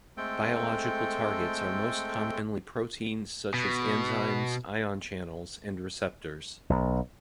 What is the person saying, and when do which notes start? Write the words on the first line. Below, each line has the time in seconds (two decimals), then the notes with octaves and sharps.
Biological targets are most commonly proteins such as enzymes, ion channels, and receptors.
0.17 G#3 A3 C4 A4 G5
3.54 B2
6.70 B1